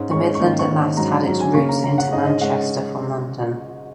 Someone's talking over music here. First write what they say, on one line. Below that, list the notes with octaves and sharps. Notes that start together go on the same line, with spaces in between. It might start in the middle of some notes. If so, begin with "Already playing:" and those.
The Midland at last had its route into Manchester from London.
Already playing: G#2 G#3 C#4
G#2 G#3 C#4 C#6
C#6
G#2 D#3 A#3 C#4
C#6
G#2 D#3 A#3 C#4
G#2 F#3 C#4 A#5
G#2 F#3 C#4 A#5
G#5
C#3 A#3 C#4 C#6
A#5
C#3 A#3 C#4 A#5
F#5
G#2 G#3 C#4 D#5
D#5
G#3 C#4 F#5